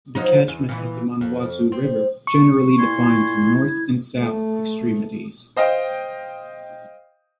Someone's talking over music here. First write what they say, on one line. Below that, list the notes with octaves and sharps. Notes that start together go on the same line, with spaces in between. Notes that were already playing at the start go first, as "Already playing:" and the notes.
The catchment of the Manawatu River generally defines the north and south extremities.
F3 F#3 D#4
E2
A#2 E3
F2
C4
C#6
A#2 E4 C6 G#6
A3
C5 D#5 F5 G5